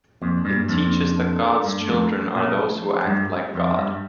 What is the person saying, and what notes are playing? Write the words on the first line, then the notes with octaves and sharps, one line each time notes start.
It teaches that God's children are those who act like God.
F2 A#2
D4
G2
A#2
F2 D4
A#2
A#2
A4
A4
A4
G2 A4
A3
F2
A3
F3
C#4
A#2
C#4
C#4
F3
F3
G2 G3
A#4
G4
F2 G4
D4
G2
G3